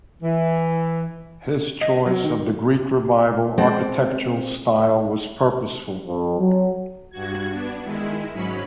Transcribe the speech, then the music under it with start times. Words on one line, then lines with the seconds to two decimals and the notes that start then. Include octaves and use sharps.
His choice of the Greek Revival architectural style was purposeful.
0.23 E3
1.81 D#5
2.06 F#3
2.24 D#3
3.58 G#3 C4 C5 D5 G5
6.07 F2
6.39 F#3
7.10 G2 F#4 G#6
7.49 B3 D4
7.83 D#3 G#3 E4
8.32 G#2 F#3 C#4 B5